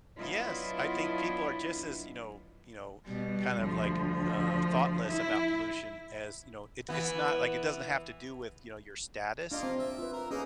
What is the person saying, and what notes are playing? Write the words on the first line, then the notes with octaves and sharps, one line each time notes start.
Yes, I think people are just as, you know you know, kind of like, uh, thoughtless about pollution as you know, it it's not like, it doesn't have to do with, you know, your status,
F#3 B3 D4 E4 F4 D#5
B2 G3
D2 F3
E4
E3 B3
A#3 D4 F4 D#5
C4
E5
F4 B4
A#4
A#3 C#4 D#4 G#4 B4